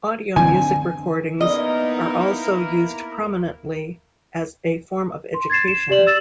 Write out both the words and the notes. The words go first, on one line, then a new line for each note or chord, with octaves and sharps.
Audio music recordings are also used prominently as a form of education.
D3 C4 G#5
A#3 B3 D#4 E4 A#4 D#5
C6
G#6 A6 C7 E7
E7
G4 D5 F#7
E6 A6 E7